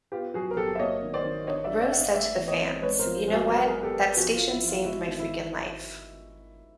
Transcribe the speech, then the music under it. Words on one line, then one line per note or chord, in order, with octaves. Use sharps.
Rose said to the fans, You know what?!, that station saved my freakin' life.
B3 F4 G4
F#3 F#4 G#4
A#4
F#3 G4 A4
E5
A#3 C#5 D#5
D#3
C5 D5
D#3
D4 C#5 D#5
D5 E5
D4
D5 E5
D4 F#5
D#5 F5
A3 D5 E5
E3
C#5 D#5
C4
G#3 B4 C#5
A#4 C5
F3
G#3
F#4 G#4
F#3 A#4
B4
G#4 A#4
B3
G4 A4
B3
F3 F#4 G#4
F4
F3
E4
F3
F4
G#3 E4 F#4
D#3
E4